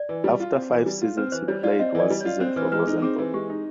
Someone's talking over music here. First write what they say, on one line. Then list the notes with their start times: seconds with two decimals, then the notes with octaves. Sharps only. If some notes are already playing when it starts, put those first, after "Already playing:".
After five seasons he played one season for Rosenborg.
Already playing: D5
0.09 E3
0.24 G3
0.40 F4
0.55 C4
0.71 E3
0.86 G3
1.02 F4
1.17 C4 B4
1.32 E3 C5
1.48 G3 C#5
1.63 F4 D5
1.79 C4 D#5
1.95 E3 D5
2.10 G3
2.20 C#5
2.25 F4
2.40 C4 C5
2.56 E3 B4
2.72 G#3 B4
2.80 G#4
2.87 D#4 A4
3.02 C4 G#4
3.18 E3
3.34 G#3 G4
3.50 D#4